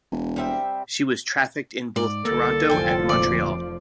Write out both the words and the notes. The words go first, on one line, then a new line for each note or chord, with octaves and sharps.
She was trafficked in both Toronto and Montreal.
E1
G3 C4 E5
G#2 D5
C2 D3 A#3 A4
F1 F3 G5 G#5
D2 A#2 D5